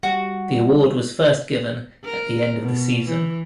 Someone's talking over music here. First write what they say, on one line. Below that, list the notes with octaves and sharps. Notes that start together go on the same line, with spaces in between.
The award was first given at the end of the season.
G3 F#4
A#4
B2
E3